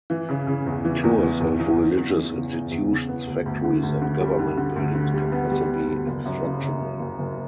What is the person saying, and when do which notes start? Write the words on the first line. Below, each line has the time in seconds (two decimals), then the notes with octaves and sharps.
Tours of religious institutions, factories, and government buildings can also be instructional.
0.10 E3
0.29 C#3
0.47 C#3
0.66 E2
0.85 E3
1.04 E2
1.22 E3
1.40 E2
1.60 E2
1.78 E2
1.97 E2
2.15 E3
2.34 C#3
2.53 E2
2.71 E2
2.90 C#3
3.08 B3
3.27 D2
3.46 D2
3.64 D3
3.83 D2
4.02 D3
4.20 G3
4.39 D3
4.57 D3
4.76 D2
4.95 D3
5.13 G3
5.32 B3
5.51 G3
5.69 B3
5.88 D2
6.07 F#1
6.25 F#2
6.44 C#3
6.62 C#3
6.81 F#1
7.00 F#1
7.19 F#1